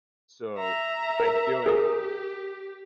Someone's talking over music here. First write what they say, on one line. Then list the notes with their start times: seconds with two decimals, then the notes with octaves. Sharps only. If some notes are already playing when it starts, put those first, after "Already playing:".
So, I feel like
0.56 E5 A#5
1.20 A#4
1.66 G4 G#4 A#4 D#6